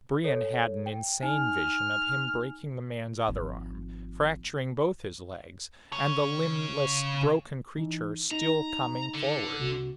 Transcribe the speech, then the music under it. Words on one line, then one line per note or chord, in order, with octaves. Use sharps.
Brion had an insane vision of him breaking the man's other arm, fracturing both his legs, and the limbless broken creature still coming forward.
A4 C#5
G5
D#4 G#5 F6
G#1 F3
C#3 C#5
E3 D#4
D#4 A#5
D3
C2 C3 F#4